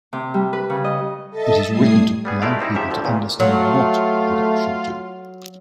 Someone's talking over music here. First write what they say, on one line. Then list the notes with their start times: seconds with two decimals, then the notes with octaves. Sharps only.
It is written to allow people to understand "what" a product should do.
0.13 C3
0.34 G3
0.53 B4
0.70 C#3
0.84 D#5
1.30 A4 D#5 E5 A5
1.68 A2 G3 A3 D#6 G#6 C7
2.25 G3 B3 G#4
2.42 F#2 G#3 A3 E4 D5 F5
2.59 G3 C4 D#4 E4
2.74 G#2 C#3 F3 G4 E5
2.91 D2 A2 F3
3.04 E2 A#2 C#3
3.40 F#3 A3 F4